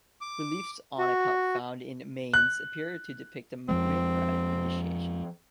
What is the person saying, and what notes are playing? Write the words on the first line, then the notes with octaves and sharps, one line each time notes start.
Reliefs on a cup found in Mainz, appear to depict a Mithraic initiation.
D6
F#4
F#6
F2 F3 G#3 C4